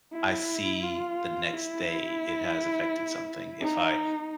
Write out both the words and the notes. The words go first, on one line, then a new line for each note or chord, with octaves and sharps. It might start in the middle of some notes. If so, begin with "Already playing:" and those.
I see the next day it has affected something, if I
E4
F4
E4
D#4